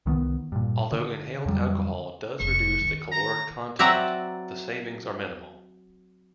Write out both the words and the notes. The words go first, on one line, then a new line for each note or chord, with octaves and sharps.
Although inhaled alcohol does reduce the caloric content, the savings are minimal.
C2 D#3 E3 B3
G2 A#2
D3
F2 D3 F#3 G3
F1 C#6
D#3 C#4
A#5
F#3 C4 D5 E5 F#5 A#5